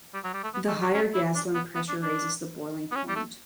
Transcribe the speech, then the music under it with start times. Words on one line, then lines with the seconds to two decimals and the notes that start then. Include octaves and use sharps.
The higher gasoline pressure raises the boiling point.
0.14 G3
0.24 F#3
0.34 G3
0.44 A3
0.54 B3
0.68 A3
0.81 G3
0.94 C#4
1.15 E4
1.35 D4
1.55 B3
1.75 B3
1.89 D4
2.02 D4
2.92 B3
2.96 C#4
3.09 G3
3.16 A3